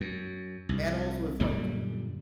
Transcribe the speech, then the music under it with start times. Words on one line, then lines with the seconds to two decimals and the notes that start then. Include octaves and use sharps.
animals with, like
0.01 F#2
0.69 C2
1.40 F#2 A#2 D3 G3